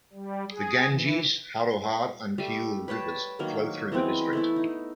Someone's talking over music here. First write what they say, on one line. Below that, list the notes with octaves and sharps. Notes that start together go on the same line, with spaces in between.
The Ganges, Harohar and Kiul rivers flow through the district.
G3
G#4
E3
G3 A3
B4 C#5 G5 A5
D#3 F#3 A#3 A#4
E3 G#3 B3 C4
A3 B3 E4
D#4